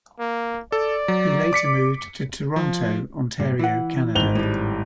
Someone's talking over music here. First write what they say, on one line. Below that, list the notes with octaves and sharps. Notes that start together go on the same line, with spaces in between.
He later moved to Toronto, Ontario, Canada.
A#3
A4 D5
F#3
D6 B6 C#7
F3
G2 A#2
E3 F#5
G#1 F7 G7
A2 G3